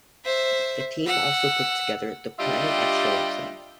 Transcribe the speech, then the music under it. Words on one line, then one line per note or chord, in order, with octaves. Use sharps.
The team also puts together the "Planet Extra" website.
C5 E5
F#5 E6
G3 D4 F4 G4 D#5 E5